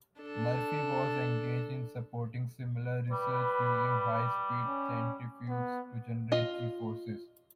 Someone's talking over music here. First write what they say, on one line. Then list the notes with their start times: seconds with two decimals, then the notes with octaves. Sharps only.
Murphy was engaged in supporting similar research using high speed centrifuges to generate g-forces.
0.21 D4 A4
3.10 G3 B4
4.66 C#4
5.49 B3
6.32 F4 D#5